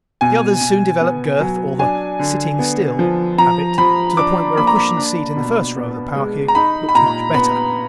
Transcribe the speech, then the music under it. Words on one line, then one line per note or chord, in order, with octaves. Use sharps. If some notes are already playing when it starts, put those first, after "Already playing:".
The others soon develop girth or the "sitting still" habit to the point where a cushioned seat in the first row of the parquet looks much better.
B2 G#5
B2
B3
F#3
D4 G#5
D3
B3
F3
F3 A#5
F3 B5
D4 D6
A#3 B5
A#5
B5
D4
B2
B3
G#3
A#5
D#4 B5
B5
A#2 A#5
B3 B5